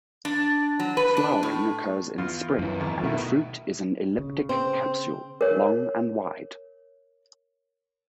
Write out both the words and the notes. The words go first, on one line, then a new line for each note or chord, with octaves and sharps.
Flowering occurs in spring and the fruit is an elliptic capsule long and wide.
D4
F#3
B4
D4
A2
E2 F4
F#2 E3
A1 D#2
B2 D#3 A3 E4
C#3
C4
A#4 C#5